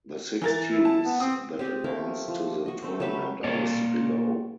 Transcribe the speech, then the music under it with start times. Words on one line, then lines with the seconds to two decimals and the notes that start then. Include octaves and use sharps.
The six teams that advanced to the tournament are listed below.
0.42 E3 A#4 A6
0.71 E4
0.85 A5
1.05 B3
1.20 C4 D#6
1.59 C4 G4 G#4
1.84 A3 A#3 A#4
2.28 F3
2.66 F#4 D#5
2.82 A3 C4
3.00 F#3 G4 A4 B4
3.44 A#3 C#5 D5